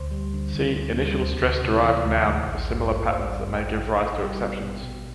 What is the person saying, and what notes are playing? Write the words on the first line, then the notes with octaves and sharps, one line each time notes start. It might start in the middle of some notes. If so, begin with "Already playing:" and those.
See initial-stress-derived noun for similar patterns that may give rise to exceptions.
Already playing: D2 C5
G3
D3
D2
D2
G3
D2 C5
D2
C3
E3
D2
D2
A1
G2
A1
D5
A1 C5
G2 D5
A1 G5
C2 G5
C2
G3
B2
B2
B2